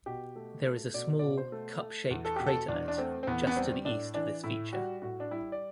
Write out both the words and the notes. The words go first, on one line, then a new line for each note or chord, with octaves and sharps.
There is a small, cup-shaped craterlet just to the east of this feature.
B2 G4
A3
A3
B2 D5
B2 D5
C5
A3
A3
E2
A4
B2 G4
A4
E2 D4
D4
A3 C4
C4
E2 B3
B3
G3 C4
A2 D4
E3 D4
A2 E4
G3 F#4
A2 F#4
D4
G3 E4
D5